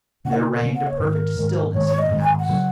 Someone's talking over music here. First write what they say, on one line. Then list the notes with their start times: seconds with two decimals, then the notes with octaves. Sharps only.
There reigned a perfect stillness in the house.
0.25 C#3 A#3 C#4 F#5
0.34 D#4
0.43 F#4
0.53 A#4
0.62 C#3 A#3 C#4
0.75 F#5
0.87 C#5
0.99 G#2 D#3 G#3 A#4
1.37 G#2 D#3 G#3
1.74 G#2 D#3 G#3 C#5
1.86 C#5
1.99 D#5
2.11 G#2 D#3 G#3
2.21 G#5
2.39 F#5
2.49 C#3 F#3 C#4